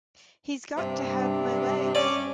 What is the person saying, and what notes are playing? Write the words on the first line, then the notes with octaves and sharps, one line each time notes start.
He's got to have my legs.
G2 C3 D4
C#4 D5